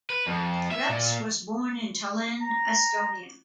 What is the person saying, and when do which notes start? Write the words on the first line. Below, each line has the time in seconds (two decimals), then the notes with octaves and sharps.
Reps was born in Tallinn, Estonia.
0.10 B4
0.27 F2
0.71 E5
0.89 A#2
2.41 A#5